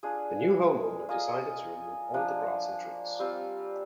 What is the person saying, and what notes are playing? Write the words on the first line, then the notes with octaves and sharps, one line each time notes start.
The new homeowner decided to remove all the grass and trees.
D4 F4 G#4
A#3 F4 G#4 D#5
F3 A#3 D4
G3 C4 F4